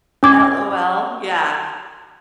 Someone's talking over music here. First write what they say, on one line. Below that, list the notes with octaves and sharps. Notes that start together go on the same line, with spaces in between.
LOL, yeah.
C#4 D6 G#6